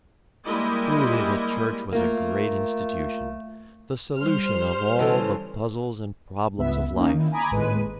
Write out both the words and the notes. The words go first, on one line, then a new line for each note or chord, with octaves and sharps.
Truly, the church was a great institution--the solution of all the puzzles and problems of life.
G3 G#3 A#3 E4 D#5
A3 A#3 F4 A#4
G3 C5 F6
C#3 E3 A4
C#2 B3 E5
A#3 C#4 D#4
D#3 E4
G#5 A#5 B5 D6 D#6 G#6
G#1 D#2 A2 G#3 B4 D#7